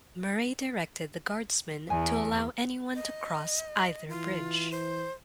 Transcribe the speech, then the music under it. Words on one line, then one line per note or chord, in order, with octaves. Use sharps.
Murray directed the guardsmen to allow anyone to cross either bridge.
E2 G#5
D#5
E3 F4
C5